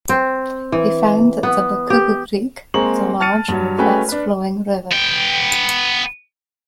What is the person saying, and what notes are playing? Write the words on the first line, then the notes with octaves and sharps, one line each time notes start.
He found that the Lukuga creek was a large and fast-flowing river.
C4
E3
B3
G4
G#3 A#3 C4 A#5 C#6 F#7
A5 F6 A6 C#7 D#7
G2 F#3
G#3 A3 C#4 F#4 B4 G5
D4 B4
B3 G5